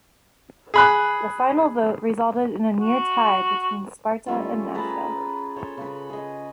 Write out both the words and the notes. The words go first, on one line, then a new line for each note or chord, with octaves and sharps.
The final vote resulted in a near tie between Sparta and Nashville.
G#4 B5 F#6
F#4
G3 A3 C#4 F4
G#4 B4 A5 A#5
A4 C5 C#5
C#3 B4
G#4 D#5